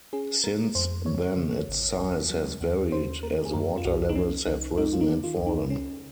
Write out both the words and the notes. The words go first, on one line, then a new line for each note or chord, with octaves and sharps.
Since then its size has varied as water levels have risen and fallen.
C#4 G#4
G#3 A#4
F2 C5
F3 C#5
C#3
G#1
D#2
F#3
D#2
C#4 C5
A#3 A#4
G#4
F#2 A#4
F4
C2 F#4
D#4
F3 C#4
C2 D#4
G#3 D#4
F4
D#4
D#3
F4
C#2
D#4
C#4